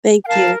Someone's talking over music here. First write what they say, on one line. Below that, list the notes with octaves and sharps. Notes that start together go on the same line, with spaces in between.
Thank you.
G5
A#4 F5 A5